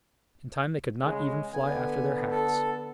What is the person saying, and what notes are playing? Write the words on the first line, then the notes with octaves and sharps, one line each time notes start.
In time they could not even fly after their hats.
C#3 G#3
D3 B3 G#5
A4